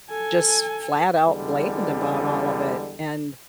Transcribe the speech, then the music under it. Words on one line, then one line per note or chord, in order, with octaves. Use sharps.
just flat out blamed about all of it, and
A4 G#5
E2 D3 G3 G#3